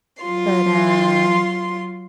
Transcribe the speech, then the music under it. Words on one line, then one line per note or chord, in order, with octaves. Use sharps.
But, uh
F#3 F4 C6